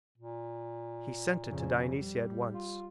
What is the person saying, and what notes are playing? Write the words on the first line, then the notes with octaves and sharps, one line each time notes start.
He sent it to Dionysia at once.
A#2
F2 C#3
G3
F4